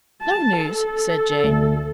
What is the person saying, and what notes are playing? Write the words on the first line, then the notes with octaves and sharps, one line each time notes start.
"No news," said Jane.
A5
A4
D2